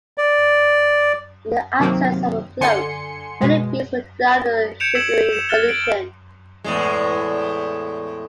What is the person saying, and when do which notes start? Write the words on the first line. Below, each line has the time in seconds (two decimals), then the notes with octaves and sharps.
In the absence of a float, many bees will drown in the sugary solution.
0.18 D5
1.80 C3 D#3 F#3 A#3 C4
2.61 D3 G#5 C6 C#7
3.41 B2 G#3
4.80 G6 G#6 C#7 D7 E7 F7
4.95 E6 G#6 B6 E7 F#7
5.09 C#7
5.33 E7
5.49 F6 F#6 A6 E7 G7
5.69 D7 F#7
6.64 E2 A2 G#3